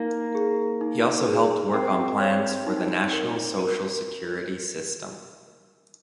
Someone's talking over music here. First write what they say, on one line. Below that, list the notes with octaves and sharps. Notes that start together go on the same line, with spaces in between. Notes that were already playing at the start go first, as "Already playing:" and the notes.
He also helped work on plans for the national social security system.
Already playing: A#3 D#4
G#4
D#4
G#4
C4 A#4
C#5
D#4
A#4
A#4